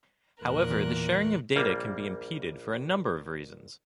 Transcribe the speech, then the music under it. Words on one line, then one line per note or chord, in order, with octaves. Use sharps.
However the sharing of data can be impeded for a number of reasons.
E2 A#2 A#4 F#6
A#1 G3 A#3